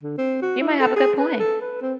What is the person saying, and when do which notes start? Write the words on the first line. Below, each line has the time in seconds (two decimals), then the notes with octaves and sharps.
You might have a good point.
0.03 D3
0.18 C4
0.42 F#4
0.61 E4
0.80 A4
0.96 G#4
1.19 B4
1.40 A4
1.61 B4
1.81 C4